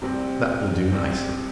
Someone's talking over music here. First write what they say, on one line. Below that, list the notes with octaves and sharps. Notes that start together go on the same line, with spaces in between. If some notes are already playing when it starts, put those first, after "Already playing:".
That will do nicely.
C2 C3 G3 C4
C2 C3 G3 C4